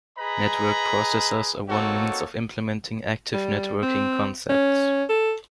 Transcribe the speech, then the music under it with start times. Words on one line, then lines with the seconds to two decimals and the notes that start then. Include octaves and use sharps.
Network processors are one means of implementing active networking concepts.
0.18 G#4 B4 D#5 A#5 B5
1.69 A#3 C4 D#4 F#4 A4 C#5
3.34 G3
3.83 C4
4.49 C#4
5.09 A4